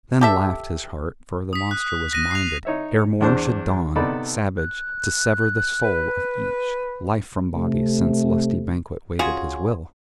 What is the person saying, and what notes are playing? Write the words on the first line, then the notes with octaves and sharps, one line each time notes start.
Then laughed his heart; for the monster was minded, ere morn should dawn, savage, to sever the soul of each, life from body, since lusty banquet waited his will!
G4 A4 E5
D#6 B6
F#6
F#6 A#6 D#7
C7 F7
D#4 C#5 E5
E2 D4 C5
C3 B3 D#4 A4 D5 B5
F#6
B4
C3 A3
C#4 F4 F#4 G#4